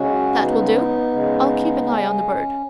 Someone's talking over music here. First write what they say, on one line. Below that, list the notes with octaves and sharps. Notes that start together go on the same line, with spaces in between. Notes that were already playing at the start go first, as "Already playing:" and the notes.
"That will do; I'll keep an eye on the bird."
Already playing: C#3 G#3 C#4 F#4
B3 D#4
C#3 G#3
C#4